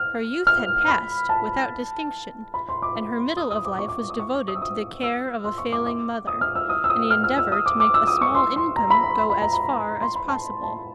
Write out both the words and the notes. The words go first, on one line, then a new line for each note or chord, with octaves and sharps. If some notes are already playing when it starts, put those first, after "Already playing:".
Her youth had passed without distinction, and her middle of life was devoted to the care of a failing mother, and the endeavour to make a small income go as far as possible.
Already playing: F6
F6
B5
A5
B5
C6
D6
D6
D#6
D#6
D6
C#6
D6
D#6
C#6
D6
D#6
E6
D#6
E6
C6
C#6
D6
D6
D#6
F6
E6
D#6
E6
D#6
F6
F6
E6
D#6
D6
D6
E6
D#6
C#6
C6
C6
A#5
B5
A#5
C6
B5
A#5
B5
C6
B5
A5
A5